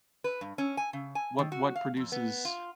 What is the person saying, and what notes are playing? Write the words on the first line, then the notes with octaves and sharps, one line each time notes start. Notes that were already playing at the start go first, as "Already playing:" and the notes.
what what produces
B4
G2
C#4
G#5
C#3
G#5
D#3
F#4
F5
F2
B3
F4